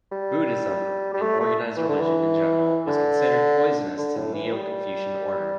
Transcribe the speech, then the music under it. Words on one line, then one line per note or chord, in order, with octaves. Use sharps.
Buddhism, and organized religion in general was considered poisonous to the neo-Confucian order.
G3
G3
A3
A3
E3
D3
E3
D3
D3
A2
E3
G3